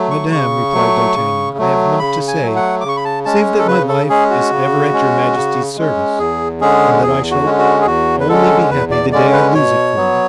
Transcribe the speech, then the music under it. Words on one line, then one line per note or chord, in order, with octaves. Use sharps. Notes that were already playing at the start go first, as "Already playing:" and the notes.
"Madame," replied D'Artagnan, "I have nought to say, save that my life is ever at your majesty's service, and that I shall only be happy the day I lose it for you."
Already playing: F#3 A3
C#6
C#3 C#6
F#3 A3
C#3
F#3 A3
C#3 B5
G#5
F#3 A3
F#5
D6
C#3 C#6
B5
A5
G#3 C#4 A5
A4
C#3 B4
A4
G#3 C#4 G#4
F#4
C#3
G#3 C#4
C#3
G#3 C#4
E2 G#4
D3 G#3 C#4 G#4
E2 G#4
F#4
D3 G#3 C#4
F#4
G#4
E2 F#4
B4
D3 G#3 C#4 A4
E2 B4
D5
D3 G#3 C#4 D5
B4
B2 C#5
F#3 B3